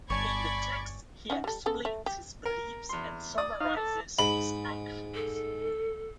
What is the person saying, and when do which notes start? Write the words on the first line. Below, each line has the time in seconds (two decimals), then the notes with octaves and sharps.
In the text he explains his beliefs and summarizes his actions.
0.10 G1 C#5 D5 G#5 A5 B5 C#6 G#6
1.30 C#4 D#4 F#5
1.44 G3 A4
1.66 C#3 B3 A4
1.85 A3 E5
2.06 G4
2.45 A#4
2.89 E2 C6
3.38 D5 D#6
3.60 D#4 F5
3.77 A4
4.19 G#2 B5
5.15 A4